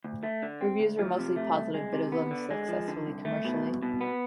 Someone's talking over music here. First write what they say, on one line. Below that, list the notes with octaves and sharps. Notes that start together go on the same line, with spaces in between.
Reviews were mostly positive, but it was unsuccessful commercially.
D2
A3
D3
C4
D2
F3
C3
A3
C2
G#3
C3
B3
D3
G#3
F3
D3
C2
A3
B2
C2
B2
B3